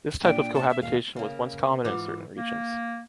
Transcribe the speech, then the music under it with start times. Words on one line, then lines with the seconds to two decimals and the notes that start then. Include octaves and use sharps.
This type of cohabitation was once common in certain regions.
0.23 A#2 D4 G5
0.54 A5
0.69 E5
0.81 D#1 F5
1.16 C#3 A#3
1.84 G#2 E3 F4 D6
2.36 A#3